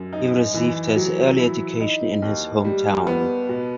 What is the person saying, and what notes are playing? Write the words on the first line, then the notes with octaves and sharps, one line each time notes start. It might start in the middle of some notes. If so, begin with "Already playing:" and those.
He received his early education in his hometown.
Already playing: F#2
D#4
E3
F#3
E4
D#4
D#2
G3
B3
B2